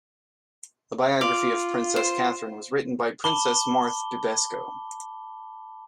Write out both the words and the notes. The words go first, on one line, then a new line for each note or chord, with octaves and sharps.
A biography of Princess Catherine was written by Princess Marthe Bibesco.
F4 D5 F5 C6
C5
A5 B5 D6 G7